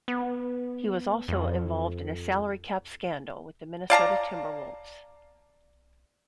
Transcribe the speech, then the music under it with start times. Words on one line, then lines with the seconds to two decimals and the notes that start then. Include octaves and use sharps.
He was also involved in a salary cap scandal with the Minnesota Timberwolves.
0.08 B3
1.28 F2
3.90 D5 F5 A5 A#5